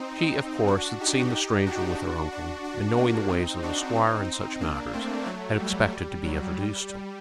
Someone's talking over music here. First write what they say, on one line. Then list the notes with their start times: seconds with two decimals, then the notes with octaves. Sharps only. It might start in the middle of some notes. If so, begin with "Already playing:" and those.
She of course had seen the stranger with her uncle, and knowing the ways of the squire in such matters had expected to be introduced to him.
Already playing: C4 D#4
0.67 D4 F#4
1.00 D#4 G4
1.66 D4 F#4
2.32 D4 F#4
2.64 D4 F#4
2.97 A#3 D4
3.30 C4 D#4
3.62 D4 F#4
3.95 C4 D#4
4.61 A#3 D4
4.93 A3 C4
5.26 F#3 A3
5.59 G3
5.92 G3
6.24 F#3
6.57 G3